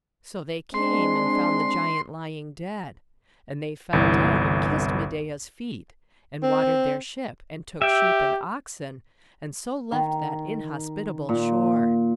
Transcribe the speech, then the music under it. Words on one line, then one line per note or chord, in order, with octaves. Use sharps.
So they came, and found the giant lying dead; and they fell down, and kissed Medeia's feet; and watered their ship, and took sheep and oxen, and so left that inhospitable shore.
G#3 C4 D4 C6
G1 C2 E3
C4
G4 E5 G5
D#3
A#2